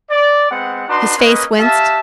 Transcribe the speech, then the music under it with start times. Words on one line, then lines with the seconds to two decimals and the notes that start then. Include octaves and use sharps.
His face winced.
0.10 D5
0.49 G#3 B3 C4 F#5
0.88 D4 D#4 F#4 B4 C6
1.18 A#3 C#4 B4 D#5
1.58 G4 E5 F5 A5